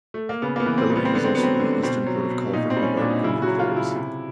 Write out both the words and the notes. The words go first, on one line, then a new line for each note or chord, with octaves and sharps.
Bellerive is also the eastern port of call for Hobart commuter ferries.
A3
A#3
C#3 B3
A#3
B3
E3
C4
G3
B3
C4
D3 B3
C4
F#3 B3
C4
B3
D3
B2 C4
F#3
B2
A#2 D#4
C4
G3
C#4
A#2 D4
D#4
C#3 E4
F#3 F#4
F4
C#3
E4
C3